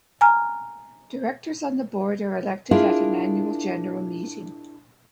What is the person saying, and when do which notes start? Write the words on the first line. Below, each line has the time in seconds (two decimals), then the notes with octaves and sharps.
Directors on the Board are elected at an Annual General Meeting.
0.21 G#5 A#5 F6
2.71 D4 E4 F4 G#4 A#4